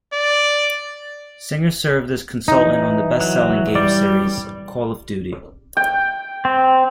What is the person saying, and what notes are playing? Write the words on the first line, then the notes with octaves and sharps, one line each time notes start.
Singer served as consultant on the bestselling game series "Call of Duty".
D5
E3 D#4
F#3
G3 D5
G5
C4